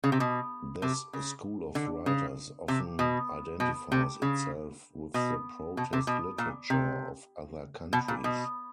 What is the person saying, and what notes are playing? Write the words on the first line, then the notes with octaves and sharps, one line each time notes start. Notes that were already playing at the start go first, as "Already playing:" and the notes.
This school of writers often identifies itself with the protest literature of other countries.
C#3
C3
B2
C3
C#3
D3
C#3
C3
B2
B2
C3
C#3
B2
B2
C3
B2
A#2
C3
B2
A#2
B2